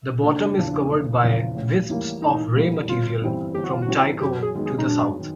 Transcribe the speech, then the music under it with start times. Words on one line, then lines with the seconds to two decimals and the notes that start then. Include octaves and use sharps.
The bottom is covered by wisps of ray material from Tycho to the south.
0.23 F#1 D4
0.57 E2 C#3 F3
0.89 F#1
1.23 E2 C#3 F3
1.56 A1
1.90 A2 E3 G3 A#3
2.22 A1 D#4
2.55 A2 E3 G3 A#3
2.88 G1 F4
3.22 G2 E3 G3 C4
3.54 G1 G4
3.64 F#4
3.73 F4
3.82 F#4
3.88 G2 E3 G3 C4
4.21 F#2 G4
4.43 G#4
4.55 D#3 G#3 B3
4.66 G#4
4.78 D#4
4.87 F#2 D4
5.20 D#3